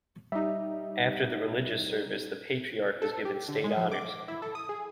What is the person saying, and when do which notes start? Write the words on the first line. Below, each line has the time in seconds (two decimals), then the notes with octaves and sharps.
After the religious service, the Patriarch was given state honors.
0.32 G3 D#4 E5
3.02 A4
3.25 G4
3.48 D3
3.64 G#3
3.77 F3
3.91 D6
4.28 E4
4.42 A4
4.55 D#6
4.69 G#4